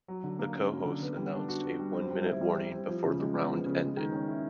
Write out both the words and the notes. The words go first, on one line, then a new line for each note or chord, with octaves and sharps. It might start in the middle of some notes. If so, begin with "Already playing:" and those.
The co-host announced a one-minute warning before the round ended.
F#3
D3
A#3
C#4
F#3
D3
B3
G3
D4
F#4
B3
G3
C4
G3
E4
G3
C4
G3
F3
C#3
G#3
B3
F3
C#3
G#3
D#3
C#4
E4